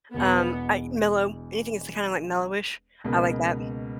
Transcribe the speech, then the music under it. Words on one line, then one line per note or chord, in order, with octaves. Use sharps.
Um, I mellow. Anything that's kinda, like, mellowish, I like that.
E1 E2 B2 B3
C#2 B2 A#3